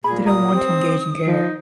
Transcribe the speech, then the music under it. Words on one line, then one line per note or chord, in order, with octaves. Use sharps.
They don’t want to engage in care.
A#2 G#4 B5
A#5 D#6
C4 G4
D#4
F3 D#4